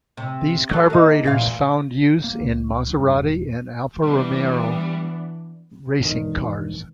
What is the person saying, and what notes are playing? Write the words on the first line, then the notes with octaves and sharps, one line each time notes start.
These carburetors found use in Maserati and Alfa Romeo racing cars.
C3
F#3 A4
A#3 D#4
E2 A#2 F5
A#3
C#2
G2
E1
E3 G3 B3 D4
E1 D#3